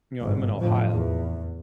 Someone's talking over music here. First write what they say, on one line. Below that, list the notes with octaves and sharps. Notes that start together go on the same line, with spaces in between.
you know, I'm in Ohio.
G1 G#2
F2 A2 D3 F3
E2